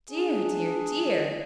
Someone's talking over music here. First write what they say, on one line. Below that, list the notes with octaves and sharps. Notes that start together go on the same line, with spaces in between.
"Dear, dear, dear!"
D4 G#4